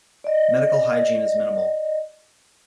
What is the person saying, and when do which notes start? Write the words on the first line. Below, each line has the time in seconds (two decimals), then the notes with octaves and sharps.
Medical hygiene is minimal.
0.24 D5 D#5